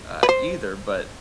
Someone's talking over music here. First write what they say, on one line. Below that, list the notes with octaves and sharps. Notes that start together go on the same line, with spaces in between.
uh, either, but
B4
C5